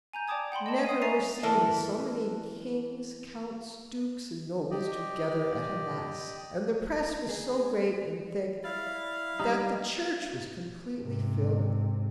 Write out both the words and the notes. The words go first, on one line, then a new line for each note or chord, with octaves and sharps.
Never were seen so many kings, counts, dukes, and nobles together at a Mass, and the press was so great and thick that the church was completely filled.
G#5 A#5 G6
D5 G5 A5 D6 D#6 G#6
F#5 G5 B5 C6
D#5 A5
D#6 C7 D#7
E5 G#5 A#5 C#6 A6 C7
E3 A4 A#4 E5 A5
G4 D5 D#5
G#4
E4 D5 F5
G3 D#4 G4
G#2 C3